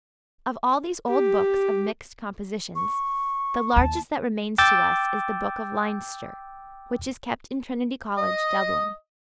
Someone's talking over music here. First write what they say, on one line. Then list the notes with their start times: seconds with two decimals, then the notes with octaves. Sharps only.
Of all these old books of mixed compositions, the largest that remains to us is the Book of Leinster, which is kept in Trinity College, Dublin.
1.08 G4
2.75 C#6
3.76 D#2 A5
4.58 G5 D6 E6 G6 A6
8.18 D#5 D#6